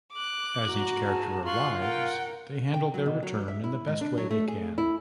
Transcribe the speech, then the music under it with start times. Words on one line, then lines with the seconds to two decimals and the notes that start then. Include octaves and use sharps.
As each character arrives, they handle their return in the best way they can.
0.13 D6 F#6
0.69 F#4 A#5
1.06 G#4 A5
1.46 F4 C6 C#6 F#6
1.80 A#4 F#5 G5
2.74 G5
2.94 F#3
3.06 B2
3.23 F#3
3.48 E5
3.64 E4
3.87 G#2
4.01 D4
4.18 F#3
4.31 A3
4.48 G#4
4.78 E4